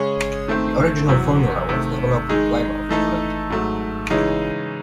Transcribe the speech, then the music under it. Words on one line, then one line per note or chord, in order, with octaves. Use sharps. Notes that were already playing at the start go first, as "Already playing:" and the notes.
The original formula was developed in Plymouth, England.
Already playing: C#3 G#3 C#4 G#4
D#3 A3 C4
E2 C3 F#3
C3 D#3 A3
D#3 G#3 D#4 G#4
E3 A3 D#4 A4
G#2 F#3 A3
C#3 E3 G#3 D#4